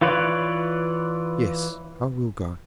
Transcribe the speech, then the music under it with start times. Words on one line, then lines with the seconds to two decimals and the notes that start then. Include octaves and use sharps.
"Yes, I will go."
0.01 E3 F4 B4 C#5 D5